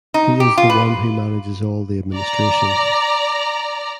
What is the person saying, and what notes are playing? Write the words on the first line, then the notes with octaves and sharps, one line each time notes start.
He is the one who manages all the administration.
D#4
G4
F4
B4
D5 A#5